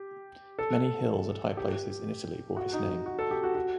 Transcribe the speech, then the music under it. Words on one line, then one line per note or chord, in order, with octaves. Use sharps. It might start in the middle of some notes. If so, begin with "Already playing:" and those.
Many hills and high places in Italy bore his name.
Already playing: G4
A4
G4
F#4
D#4
D#4
F#4
A4
G4
F#4
F#4